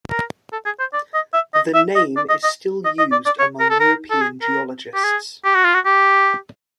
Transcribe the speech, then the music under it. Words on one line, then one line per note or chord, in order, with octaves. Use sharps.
The name is still used among European geologists.
A#4
A4
G#4
C5
D5
D#5
E5
D#5
E5
D#5
D5
D#5
D#5
D#5
D#5
D5
D5
C#5
A#4
A4
A#4
A4
G#4
A#4
G4
G#4
G4
F#4
F4
F#4
G4